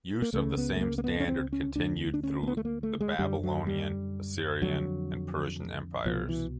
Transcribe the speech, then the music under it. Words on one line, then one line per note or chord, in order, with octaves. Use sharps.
Use of the same standard continued through the Babylonian, Assyrian, and Persian Empires.
A#3
C#2 C#3 A3
B3
A3
A#3
A#3
B3
C#4
C4
C#4
D2 D3 D4
D4
C#4
A#3
B3
A3
A#3
A3
G#3
F#2 D3 G3
F#3
G3
F2 D3 F#3
C2 B2 F3
E3